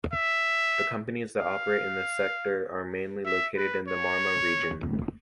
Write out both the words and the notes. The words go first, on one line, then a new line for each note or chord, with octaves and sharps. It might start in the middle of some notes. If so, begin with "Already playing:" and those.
The companies that operate in the sector are mainly located in the Marmara Region.
E5
F5
E5
B4
C#5